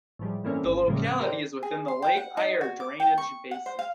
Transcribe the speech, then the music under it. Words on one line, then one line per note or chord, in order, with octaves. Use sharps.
The locality is within the Lake Eyre drainage basin.
A2 E3 F3 G3 G#3
G2 E3 A3 A#3 C4 C#4
G#1 E6
A2 C#3 F3 G3 G#3 A#3
D6 F#6 G#6
G4 A4 A#4 C5 D5
G#4
C6
G5
F#5
D#4
F#4
D6
G5
C#6
F#5
C5
F5